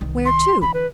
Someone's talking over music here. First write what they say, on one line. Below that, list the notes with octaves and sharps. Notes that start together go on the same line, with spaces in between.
"Where to?"
C2 D#3
C6
D3 E3 B5
B4